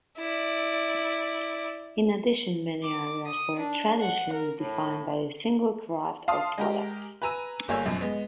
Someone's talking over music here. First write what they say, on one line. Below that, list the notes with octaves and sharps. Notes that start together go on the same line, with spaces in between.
In addition, many areas were traditionally defined by a single craft or product.
E4 D5
D6
D#6
D4
F#5
A#4
A2
F5 A5 C6 D#6
G#3 G4 A#4
B4 G#5 A#5 E6 D#7
G1 A#3 G#4 C#5 G#5 E6
F#2 B2 F3
G#3 B3